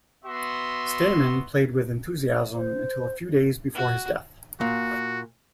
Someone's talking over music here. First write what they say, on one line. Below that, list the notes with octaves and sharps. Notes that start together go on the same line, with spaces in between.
Stayman played with enthusiasm until a few days before his death.
B3 F#4 E5 C6
C5
F#4
A#2 F#4